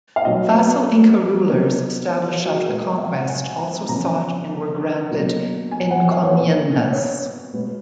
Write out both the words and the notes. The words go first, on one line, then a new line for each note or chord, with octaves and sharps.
Vassal Inca rulers established after the conquest also sought and were granted "encomiendas".
F5
B2 F#3 B3 D#5
B4
B2 F#3 B3 A#4
F#4
G#4
A#4
A#2 G#3 B3 B4
D#5
F5
F#5
G#5
A#5
C#3 F3 B3 A#5
B2 F#3 A#3
G#5
F#5
F5
C#5
B2 A#3 B4
C#5
B2 G#3 B3 B4